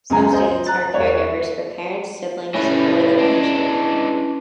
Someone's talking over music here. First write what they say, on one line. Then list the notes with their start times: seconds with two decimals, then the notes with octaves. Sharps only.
Some students are caregivers for parents, siblings, or their own children.
0.10 C#2 F#2 G#4 G#5 A#5
0.33 C5 D#5
0.66 A#5 F#6 A6
0.94 E1 C#5
2.54 A2 G3 C#4 E4 B4
3.18 G#3 D4